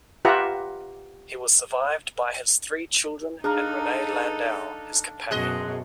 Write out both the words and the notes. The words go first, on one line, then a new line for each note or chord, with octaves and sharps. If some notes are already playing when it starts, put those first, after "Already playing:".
He was survived by his three children and Renee Landau, his companion.
F4 G4 B4 E5 F#5 A#5
D4 D#4 G#4 A4 F5 A#5
F#2 B2 G#4 D#5 C6 F#6